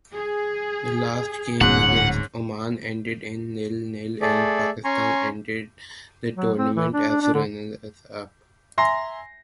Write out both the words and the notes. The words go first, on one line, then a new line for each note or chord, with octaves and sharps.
The last game against Oman ended nil-nil and Pakistan ended the tournament as runners-up.
G#4
D1 G#2 C#4 F#5
A3 G#4 A4 D5
C#4 G#5 A#5 C6 C#6
F#3
C4
E3
D4
D4
D4
D3
E5 G#5 A#5 C6 A#6 C7